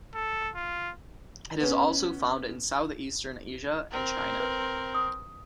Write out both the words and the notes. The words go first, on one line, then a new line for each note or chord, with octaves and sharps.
It is also found in south-eastern Asia and China.
A4
F4
B3 C#4
C4 A#4
B4
D#6